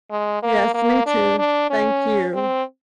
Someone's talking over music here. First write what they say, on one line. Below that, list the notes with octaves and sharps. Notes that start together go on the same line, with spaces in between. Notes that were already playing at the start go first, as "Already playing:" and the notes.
Yes, me too. Thank you.
G#3
A#3
A#3
D4
D4
C#4
C4